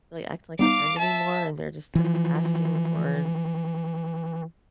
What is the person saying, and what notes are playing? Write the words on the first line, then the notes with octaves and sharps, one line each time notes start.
really acting like a friend anymore and they're just asking for
G3 B3 D#4 F5 D6
E5 A5
E3 F3